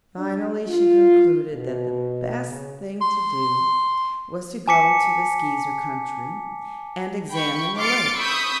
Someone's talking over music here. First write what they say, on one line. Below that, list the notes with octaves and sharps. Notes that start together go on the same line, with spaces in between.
Finally she concluded that the best thing to do was to go to the Skeezer country and examine the lake.
D4
F4
B2
C#3
C6
G#5 A5 D6 B6 C#7
G5 B5 C#6
C6 D6 F6 A6 C#7 D7
B5 C#6 D#6 E6 G6 B6